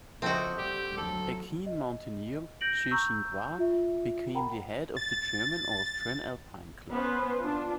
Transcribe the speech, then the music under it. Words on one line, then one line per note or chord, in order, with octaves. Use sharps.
A keen mountaineer, Seyss-Inquart became the head of the German-Austrian Alpine Club.
C#3 F3 A3 C4 F#4 D#5
D3 G3 G4
D2 F#3 A4
D#5
G6 A#6 D7 F#7
A#5 C#6 E6 G6
F4 E5
A#4 F#5 G5 A#5 B5
A6
B3 C#4 B4 C5
D4 F4